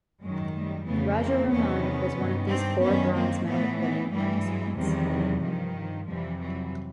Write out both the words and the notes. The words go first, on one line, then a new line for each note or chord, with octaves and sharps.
Rajaraman was one of these four bronze medal winning participants.
F#2 D#3 F#3 G#3
G3 A3
F2 C#3 E3 A3 B3
A#3 C4
E2 C3 D#3 B3 C#4
G2 D#3
C4 D4
F#2 D#3 B3 C#4
A#3 C4
A2 E3 A3 B3
A3 B3
G2 E3 G3 A3
F#3 G#3
E2 C3 D#3 F3 G3
E3 F#3
G2 D#3 F3
F3
F2 C3 E3 F3 G3
E3 F#3